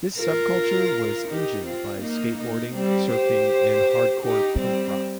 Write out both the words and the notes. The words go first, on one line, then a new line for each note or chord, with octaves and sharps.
This subculture was engined by skateboarding, surfing and hardcore punkrock.
F4 A#4
D#4 G4
C4 F4
A#3 D#4
A#3 D#4
G3 C4
G4 C5
D#4 G4
G3 C4